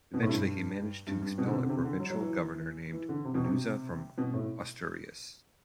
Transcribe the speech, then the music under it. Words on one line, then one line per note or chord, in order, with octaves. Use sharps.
Eventually, he managed to expel a provincial governor named Munuza from Asturias.
B2
A2
G2
G2
G2
B2
D3
C3
D3
C3
D3
F#3
F#3
E3
E3
D3
C3
B2
C3
B2
A2